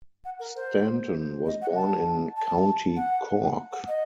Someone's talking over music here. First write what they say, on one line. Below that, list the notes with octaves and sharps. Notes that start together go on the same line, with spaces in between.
Stanton was born in County Cork.
F#5
A#4
C5
D#5
F#5
A5
A5
F#5
F#5
D#5